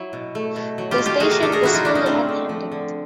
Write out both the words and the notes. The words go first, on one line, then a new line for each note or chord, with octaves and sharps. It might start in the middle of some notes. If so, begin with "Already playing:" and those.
The station is fully attended.
Already playing: F#3 E4
B2
A3
B2
F#3
F4 G4
B2
F4 G4
A3 F#4 G#4
G#4 A#4
D3 G4 A4
G#4 A#4
F3 E4 F#4
D#4 F4
D3 D4 E4
C#4 D#4
A3 C4 D4
D3
F3
D3